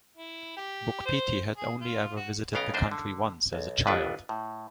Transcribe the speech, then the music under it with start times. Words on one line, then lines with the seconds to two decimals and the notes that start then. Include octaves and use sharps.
Boukpeti had only ever visited the country once, as a child.
0.17 E4
0.57 G4
1.06 C5
1.57 G#4
1.81 F4
2.16 F#4
2.53 B1 C#3 B3 F5 G5 A#5
2.74 F#2 D4 C5 D#5
2.91 D3
3.53 B1
3.87 G1 D#2 B3 D4 B4
4.29 A2